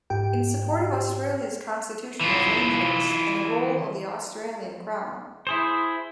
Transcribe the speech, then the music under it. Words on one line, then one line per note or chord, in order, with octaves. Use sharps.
In support of Australia's constitutional arrangements and the role of the Australian Crown.
G#2 G4 G5
E3 F4
E4 G#4 C5